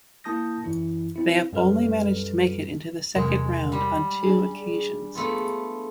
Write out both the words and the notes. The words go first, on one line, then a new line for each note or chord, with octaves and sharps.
They have only managed to make it into the second round on two occasions.
A#3 E4 A5 D#6 G6 A#6
F#2 E3 E4
C4 E4
F#2 G3 A4 B4 F6
E2 C3 G#3 G#4 A#4
G3
D4 G#4
A3 B3 F4